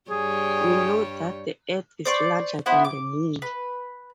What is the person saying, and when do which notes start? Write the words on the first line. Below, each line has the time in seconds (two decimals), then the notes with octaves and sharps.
We know that the earth is larger than the moon.
0.11 G2 G3 G#4 C#5
2.05 C5 D5 C#6
2.66 B3 E4 C5 F#5
2.85 D6
3.42 B4